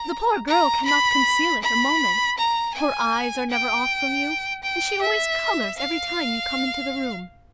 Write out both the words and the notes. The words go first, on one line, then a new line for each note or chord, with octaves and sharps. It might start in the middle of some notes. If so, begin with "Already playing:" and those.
The poor girl cannot conceal it a moment; her eyes are never off from you, and she always colours every time you come into the room.
Already playing: A#5
A#5
B5
B5
A#5
G#5
G5
G5
E5
F5